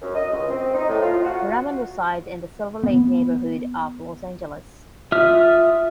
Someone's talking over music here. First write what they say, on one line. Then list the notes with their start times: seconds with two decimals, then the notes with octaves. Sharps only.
Raman resides in the Silver Lake neighborhood of Los Angeles.
0.01 F#2
0.15 D#5
0.32 C#2
0.50 C4
0.75 D#4
0.89 A2
1.02 F4
1.23 F#4
2.83 B3
5.12 F4 E5 D#6 F6